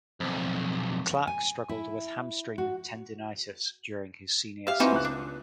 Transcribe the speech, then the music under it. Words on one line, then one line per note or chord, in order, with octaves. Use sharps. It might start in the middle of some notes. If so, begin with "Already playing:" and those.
Clark struggled with hamstring tendinitis during his senior season.
B1 F2
G#5
E4
F#4
G4 E5 F5
E3 C4 D#4 F#4
C#2 F#6
D4